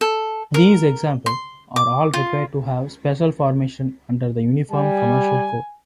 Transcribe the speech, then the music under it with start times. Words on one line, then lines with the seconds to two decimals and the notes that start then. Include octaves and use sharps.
These example are all required to have special formation under the Uniform Commercial Code.
0.01 A4
0.54 A#4
1.26 C6
1.76 D6
2.14 F4
4.71 G3 G#5